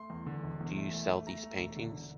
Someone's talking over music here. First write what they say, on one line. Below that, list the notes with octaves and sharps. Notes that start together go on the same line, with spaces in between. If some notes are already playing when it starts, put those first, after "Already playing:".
Do you sell these paintings?
Already playing: A3 C6
E2
D3
E1
E2
A3
A3
A3
A3 A#5
A3
E1
D3
D3